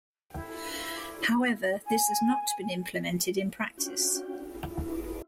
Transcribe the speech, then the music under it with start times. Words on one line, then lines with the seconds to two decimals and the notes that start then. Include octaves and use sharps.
However this has not been implemented in practice.
0.34 E4
1.85 G#5
3.77 C#4 D4 F4 F#4 G5
4.63 E4 F4